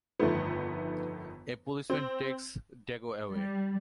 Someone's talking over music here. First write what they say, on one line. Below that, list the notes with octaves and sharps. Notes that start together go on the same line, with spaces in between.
A policeman takes Dago away.
G1 F2 D#3 A3 B3
C4
G3